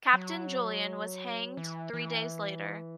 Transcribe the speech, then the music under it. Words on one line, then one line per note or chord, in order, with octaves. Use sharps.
Captain Julian was hanged three days later.
F#3
E3
E3